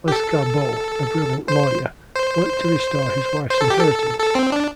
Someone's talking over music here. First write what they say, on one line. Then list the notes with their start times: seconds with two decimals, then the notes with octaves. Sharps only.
Lescarbot, a brilliant lawyer, worked to restore his wife's inheritance.
0.08 G4
0.12 A4
1.48 C5
2.16 C5
3.50 C5
3.61 A4
3.70 G4
3.80 A4
4.19 A4
4.35 C4
4.52 D4